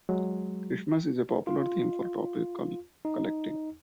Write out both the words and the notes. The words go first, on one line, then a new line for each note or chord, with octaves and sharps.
Christmas is a popular theme for topical collecting.
F#3 G#3
F4
D#4